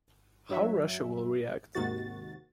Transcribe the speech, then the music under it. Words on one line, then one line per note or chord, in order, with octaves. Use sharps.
How Russia will react?
G2 F#3 E5
D#2 G#2 C3 D#3 F#4 A6